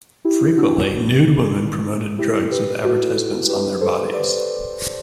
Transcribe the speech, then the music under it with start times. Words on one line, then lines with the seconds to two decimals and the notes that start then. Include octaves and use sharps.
Frequently, nude women promoted drugs with advertisements on their bodies.
0.25 E4 G4
0.57 D4 F#4
0.90 E4
2.19 E4 G4
2.51 G4 B4
2.84 F#4 A4
3.49 G4 B4
3.81 A4 C5
4.13 B4 D5